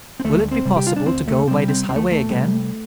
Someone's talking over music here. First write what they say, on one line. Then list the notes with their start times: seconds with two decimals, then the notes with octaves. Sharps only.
"Will it be possible to go by this highway again?"
0.20 C4
0.24 D2 A3
0.52 C4
0.65 C3 G3
0.76 G4
0.87 F4
0.96 D4
1.06 D2 C4
1.28 A3
1.47 C3 G3 C4
1.68 C4
1.89 D2 C4
1.96 A3
2.11 A3
2.30 C3 G3